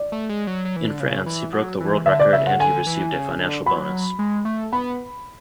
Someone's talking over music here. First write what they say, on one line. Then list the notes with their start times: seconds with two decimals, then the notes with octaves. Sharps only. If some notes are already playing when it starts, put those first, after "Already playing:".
In France he broke the world record and he received a financial bonus.
Already playing: D5
0.12 A3
0.29 G#3
0.47 F#3
0.65 F#3
0.76 E3
0.88 D3
1.00 C#3
1.26 E3
1.53 F#3
1.80 E3
2.06 D3 E5
2.20 D5
2.33 C#3 E5
2.46 F#5
2.59 D3 G#5
2.87 E3
3.12 C#3
3.40 D3
3.66 F#3 B5
4.19 G#3
4.45 A3
4.72 B3 B5